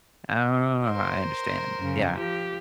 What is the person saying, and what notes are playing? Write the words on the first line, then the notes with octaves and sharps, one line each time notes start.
Oh, I understand. Yeah.
A#4 C5
F#2 C#3
F3 G4